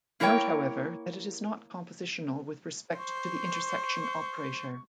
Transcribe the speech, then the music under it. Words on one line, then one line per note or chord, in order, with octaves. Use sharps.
Note however that it is not compositional with respect to the intersection operator.
A#3 E4 A#4 C#5 G5
C5 C#6